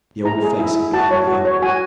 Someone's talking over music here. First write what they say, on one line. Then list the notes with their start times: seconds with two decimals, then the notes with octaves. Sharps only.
The old face had become purple.
0.25 E4 A#5
0.42 G#4
0.59 E4
0.76 E4
0.93 F#4 A5
1.11 C#5
1.28 F#4
1.45 C#5
1.62 F#4 G#5